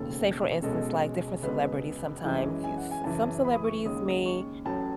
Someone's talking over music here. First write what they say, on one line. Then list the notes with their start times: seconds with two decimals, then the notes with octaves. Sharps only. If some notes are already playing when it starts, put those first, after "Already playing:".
say, for instance, like, different celebrities sometimes, you s some celebrities may
Already playing: E1 D#2 C#3 A4
0.62 B1 B2 G#3 C#4 A4
1.43 C#2 B2 G#3 C#4 B4
2.24 F#2 E3 G#3 C#4
2.64 G#5
2.78 F#5
2.91 G#5
3.04 F#2 C#3 E3 A5
3.44 B5
3.54 D#6
3.64 C#6
3.85 D#2 C#3 G#3 C#4 D#6
4.26 C#6
4.65 A1 A2 F#3 C#4 A5